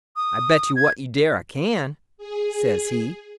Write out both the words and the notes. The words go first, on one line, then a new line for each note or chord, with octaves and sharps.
"I bet you what you dare I can," says he.
D#6
G#6
G#4